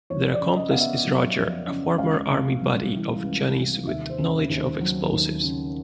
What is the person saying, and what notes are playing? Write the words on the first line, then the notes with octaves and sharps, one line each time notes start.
Their accomplice is Roger, a former Army buddy of Johnny's with knowledge of explosives.
F2 C#5
D5
C#3
D#5
B3 F5
E5
F#3
F2
C#3
C#2 F5
C3
G3
E3
C#2
C3
D#2 E5
C5
C#3
D#2
C5
F#3
D#2
C#3